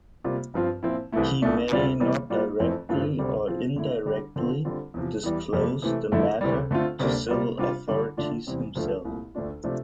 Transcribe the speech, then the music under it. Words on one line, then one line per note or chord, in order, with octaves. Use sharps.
He may not directly or indirectly disclose the matter to civil authorities himself.
C3 G3 A#3 F4
G2 F3 C4 F4
A#2 F3 C4 E4
C2 C3 E3 A3 E4
C2 A#2 A3 D4
D2 C3 G3 D4 F4
C3 E3 G3 A#3
A2 G3 A#3 F4
F2 E3 A3 C4
G2 E3 A3 C4 F4
D2 C3 G3 C4
A2 F3 C4 F4
D3 A3 E4
D3 G3 D4
D3 F3 C4 F4
D3 G3 C4 F4
E2 C3 F3
E2 E3 G3
F2 C3 G3 A#3
C3 E3 A3
F2 D3 A3 E4
D2 C3 E3 G3
D3 A3 C4 F4
D2 C3 G3 A#3 D4
C3 G3 A#3 F4
C3 G3 D4 F4
D3 G3 D4
D3 A3 D4 F4
E2 C3 G3 C4
D2 D3 F3 A3
C2 A#2 A3
D2 D3 A3 D4 F4
C3 F3 A3 D4